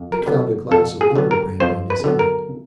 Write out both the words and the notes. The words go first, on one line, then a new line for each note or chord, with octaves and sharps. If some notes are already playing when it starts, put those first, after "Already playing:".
Dick found a glass of liqueur brandy in his hand.
Already playing: F2
A#4
D3 F#3 B3
F2 A4
G#4
D3 F#3 B3
A#4
F2 C5
B4
D3 F#3 B3
A#4